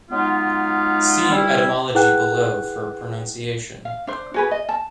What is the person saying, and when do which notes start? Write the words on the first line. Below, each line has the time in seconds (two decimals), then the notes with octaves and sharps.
See Etymology below for pronunciation.
0.10 F#3 G#3 B3 D#4 F4
1.30 G3 E4
1.95 E4 G#4 B4 F#5 G5 F#6
3.85 F5
4.07 D4 C5
4.34 F#4 G#4 B4
4.51 D#5
4.69 A5